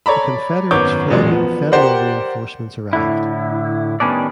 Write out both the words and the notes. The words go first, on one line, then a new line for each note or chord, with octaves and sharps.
The Confederates fled when Federal reinforcements arrived.
A4 C#5 D5 A#5 B5
G#1 F#2 B3 C#5 D6 G6
E1 A1 A#2 F#3 G#3 D5
F3 B3
G4 A#4 C5 D5 F#5
A2 D3 E4
D#3 G3 B3 C#4 D4 D5